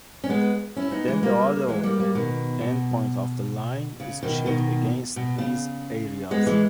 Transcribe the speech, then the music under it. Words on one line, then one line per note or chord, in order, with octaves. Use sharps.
Then the other end point of the line is checked against these areas.
C#4
G#3 B3
C#4 E4
B3 D#4
E3 G#3
G3 A#3
E3 G#3
G3 A#3
G3 A#3
B2 D#3
B2
C#3
B2 D#3
B2 D#3
B2
C#3
G#3 B3
E3 G#3